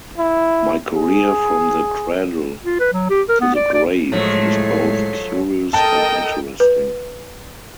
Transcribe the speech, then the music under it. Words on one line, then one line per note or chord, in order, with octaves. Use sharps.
My career from the cradle to the grave is both curious and interesting.
E4
G#4
F4
B4
F#3
G4
A#4
B3
D5
D5
A2 F3 F#3 G#3 A3 C#5 C7
A4 A#4 D#5 G5 A5
B4